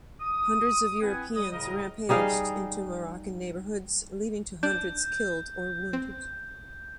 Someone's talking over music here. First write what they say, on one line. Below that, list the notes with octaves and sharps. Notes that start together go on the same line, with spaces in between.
Hundreds of Europeans rampaged into Moroccan neighborhoods leading to hundreds killed or wounded.
D#6
C4 E4 B4 F#5 G#5
G3 D#6
A2 C#3 G3 A#4 D#5
G3 D#4 G#4 F5
D4 G6
C4